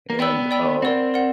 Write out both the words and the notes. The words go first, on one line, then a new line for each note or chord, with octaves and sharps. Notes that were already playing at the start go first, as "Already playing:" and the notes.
and, uh,
A#3
B3 D5 G5 B5 E6
D5 G5 B5 E6
C4 A#4 D5 F#5
A#4 D5 F#5